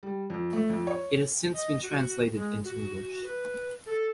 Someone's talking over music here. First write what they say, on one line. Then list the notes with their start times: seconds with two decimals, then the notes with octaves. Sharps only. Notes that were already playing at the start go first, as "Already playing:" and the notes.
It has since been translated into English.
0.03 G3
0.30 F2
0.53 A3
0.69 F2
0.87 C#5
1.54 D#5
1.83 F#4
2.35 G#3
2.65 F#4
3.24 B4
3.86 A4